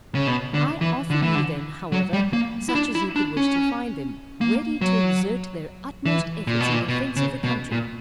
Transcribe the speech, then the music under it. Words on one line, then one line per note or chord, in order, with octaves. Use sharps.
I offer you them, however, such as you could wish to find them, ready to exert their utmost efforts in defence of the country.
C#3
B2
D3
E3
D3
E3
D3
F#3
G3
A#3
E4
D4
E4
D4
C#4
A#3
F#3
E3
A#2
B2
A#2
B2
C#3
B2
A#2